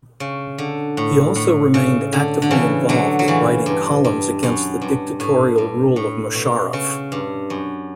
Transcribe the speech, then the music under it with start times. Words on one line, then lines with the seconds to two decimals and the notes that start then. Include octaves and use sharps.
He also remained actively involved in writing columns against the dictatorial rule of Musharraf.
0.20 C#3
0.58 D3
0.97 A2
1.36 A2
1.74 C#3
2.13 D3
2.42 D3
2.51 C#3 E3
2.89 D3 F#3
3.19 F#3
3.28 C#3 E3
3.66 G2
4.04 G2
4.43 F#2
4.81 G2
5.20 A2
5.58 G2
5.96 A2
6.35 B2
6.73 C#3
7.12 G2
7.50 F#2